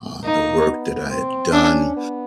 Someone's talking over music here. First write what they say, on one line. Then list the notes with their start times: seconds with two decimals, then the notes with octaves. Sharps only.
uh, the work that I had done.
0.24 A#3 D#4
0.67 B3
1.10 C4
1.53 C#4 D4
1.96 B3